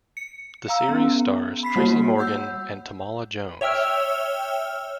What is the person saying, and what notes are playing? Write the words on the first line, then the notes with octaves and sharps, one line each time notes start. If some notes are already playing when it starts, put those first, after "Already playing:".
The series stars Tracy Morgan and Tamala Jones.
C#7
F5 A#5 E6
B3 C#4
B5 B6 C7
G3 A#3 F#4 C#5
F#5 E6 G6
C#5 E5 G5 E6 F6